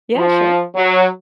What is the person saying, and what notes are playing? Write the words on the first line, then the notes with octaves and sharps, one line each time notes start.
Yeah, sure
F3
F#3